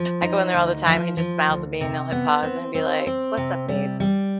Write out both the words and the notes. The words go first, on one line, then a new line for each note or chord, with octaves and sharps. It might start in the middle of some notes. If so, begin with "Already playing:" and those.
I go in there all the time, and he just smiles at me, and he'll hit pause and be like, "What's up, babe?"
Already playing: F3
D#4
D2
F3
F3
D2
C3
B3
C4
C4
C4
C3
G3
G3